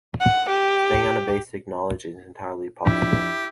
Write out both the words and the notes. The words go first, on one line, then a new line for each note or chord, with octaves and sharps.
Staying on the basic knowledge is entirely possible.
F#5
G4
F2 D4 E4 G4